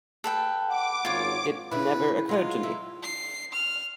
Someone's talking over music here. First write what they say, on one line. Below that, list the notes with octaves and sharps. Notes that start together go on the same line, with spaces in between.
It never occurred to me.
A4 B4 G5
F#5 D6
G#1 F#2 F4 C#5
C#3 E4 B4
F#3 G#3 F4 D#5
E4
C7
F6